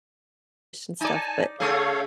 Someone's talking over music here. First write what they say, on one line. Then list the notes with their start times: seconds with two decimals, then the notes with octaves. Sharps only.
and stuff, but
1.01 D#4 D5 G#5 A5
1.60 C#3 A3 G#4 A4 C#5 F5